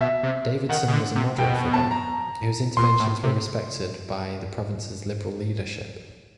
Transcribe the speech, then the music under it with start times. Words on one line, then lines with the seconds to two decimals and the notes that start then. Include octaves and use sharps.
Davidson was a moderate figure, whose interventions were respected by the province's Liberal leadership.
0.01 B2 E5
0.23 C3
0.69 D#3 F#5
0.88 C#3
0.93 D3
1.16 C3
1.38 B2 G5
1.73 A5
1.91 A#5
2.77 A#2 C6
3.00 A2
3.23 C3